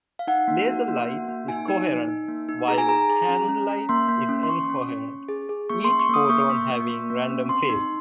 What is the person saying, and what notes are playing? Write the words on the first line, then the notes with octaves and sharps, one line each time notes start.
Laser light is coherent while candlelight is incoherent, each photon having random phase.
F5
D#4 F#5
A#3
F#4
A#3
F#4
A#3
D#4 G#5
D#4
D#4
D#4
A#3
D#4
G#4 A#5
G#5
G#4 A#5
G#4
C#4
C#4
C#4
A#3 C6
A#3
C#4
C6
C#4 C#6
C#4
C#4
C#4
G#4
G#4
A#3 C#6
C#4 C6
C#6
A#3 D#6
A#3 C#6
A#3
A#3
A#3
A#3
C#4
C4 C6
D#4